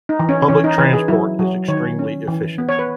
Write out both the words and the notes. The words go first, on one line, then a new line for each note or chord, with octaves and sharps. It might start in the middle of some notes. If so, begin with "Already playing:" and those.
Public transport is extremely efficient.
D#4
E3
C#4
E3 C#4
D#4
E3 B4
G#4
F#3 E4
F#3
D#3 C#5
C#4
E3
B3
C#5
B4